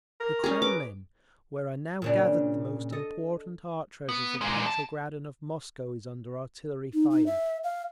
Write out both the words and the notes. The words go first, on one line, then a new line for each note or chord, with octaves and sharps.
The Kremlin, where are now gathered the most important art treasures of Petrograd and of Moscow, is under artillery fire.
A#4
C#4 G#4
B4 D6
A#2 C#3 D4
A4 D#5
B3
A#2 G#3
G2 A5
D#4
D#4
E5
F5